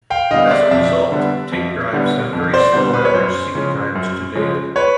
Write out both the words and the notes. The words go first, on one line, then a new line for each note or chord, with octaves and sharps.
As a result, tape drives have very slow average seek times to data.
F5 G5
D3 G3 B3 D#5 F5
D5 E5
F2 D5 E5
D3 G3 B3
F2
D3 G3 B3
F2
C5 D5
D3 G3 B3 C5
B4
C#5
F#2 C5
C#3 F3 G#3 C#4
F#2
C#3 F3 G#3 C#4
B4 C#5